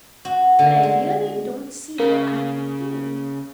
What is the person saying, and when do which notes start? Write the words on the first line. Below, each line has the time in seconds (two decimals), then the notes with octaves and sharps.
But I really don't see what I could do.
0.25 F#4
0.59 D3
0.83 G#3
2.00 C#3 A#3